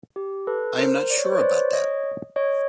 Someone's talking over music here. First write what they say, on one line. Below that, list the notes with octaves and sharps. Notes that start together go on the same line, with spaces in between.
I am not sure about that.
G4
A4 B4
A#4 C5
D5
C#5
C5
B4 C#5
C5 D5
C#5 D#5
C#5 D#5